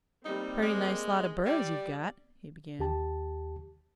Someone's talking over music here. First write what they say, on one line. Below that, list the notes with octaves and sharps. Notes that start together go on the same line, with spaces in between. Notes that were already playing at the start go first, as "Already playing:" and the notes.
"Purty nice lot of burros you've got," he began.
G3 A#3 C4 D#4
G#3
G3 D5
D#2 G4 A5